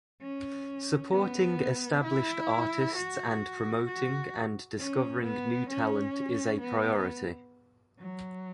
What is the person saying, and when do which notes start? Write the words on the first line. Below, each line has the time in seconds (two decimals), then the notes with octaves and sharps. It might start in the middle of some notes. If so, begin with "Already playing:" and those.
Supporting established artists and promoting and discovering new talent is a priority.
0.21 C#4
1.12 B3
2.03 E4
2.96 F#4
3.87 F#4
4.78 C#4
5.23 B3
5.70 C#4
6.61 B3
7.99 F#3